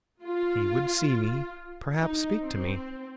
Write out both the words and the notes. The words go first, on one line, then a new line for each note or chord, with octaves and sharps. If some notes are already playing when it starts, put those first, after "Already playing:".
He would see me, perhaps speak to me!
F4
D#4
C4